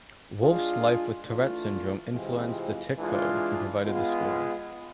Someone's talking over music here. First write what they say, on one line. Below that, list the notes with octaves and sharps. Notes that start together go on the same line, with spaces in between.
Wolff's life with Tourette syndrome influenced "The Tic Code"; he provided the score.
G#3 D4 F4 G#4
E3 A3 D4 F4
C3 E3 G#3 C4 F4
E3 G#3 D4 F4
G#3 B3 F4